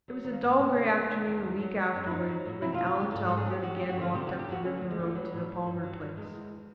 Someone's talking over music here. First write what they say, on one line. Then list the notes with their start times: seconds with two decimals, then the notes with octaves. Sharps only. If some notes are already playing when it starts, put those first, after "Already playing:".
It was a dull grey afternoon a week afterwards when Allan Telford again walked up the river road to the Palmer place.
0.08 F#3
0.24 D#3
0.32 A#3
0.41 G2 B3
0.49 C4
0.59 C3 C#4
0.76 F#3
0.93 C3
1.09 D#3 D4
1.26 E2
1.43 D#3
1.60 F#3
1.77 F#3
1.94 F#2
2.07 E4
2.11 F#3 D#4
2.28 F#3
2.45 A2
2.62 C3 E4
2.74 F4
2.79 D2
2.87 F4
2.95 D2 G4
3.12 G#2 A4
3.25 A4
3.29 G#2
3.37 G#4
3.46 F#3 G4
3.63 F#3 F#4
3.76 G2 G4
3.89 F#4
3.98 D3 F4
4.14 C3 G4
4.27 F#4
4.32 F2
4.39 G4
4.49 F2 F#4
4.64 D3 C#4
4.77 A3
4.81 D2
4.91 G#3
4.99 D3 A3
5.15 F#3 G3
5.33 A2
5.49 A2
5.66 G2
5.83 F#3
6.01 G2
6.17 E2 G#3
6.34 E2